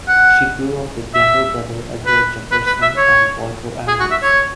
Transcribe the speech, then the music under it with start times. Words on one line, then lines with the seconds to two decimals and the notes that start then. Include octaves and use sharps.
She grew up with younger brothers Edward Jefferson and Walter Andrews.
0.08 F#5
1.15 E5
2.06 B4
2.51 B4
2.67 B4
2.82 E5
2.97 C#5
3.88 G#4
4.00 F#4
4.11 E5
4.23 C#5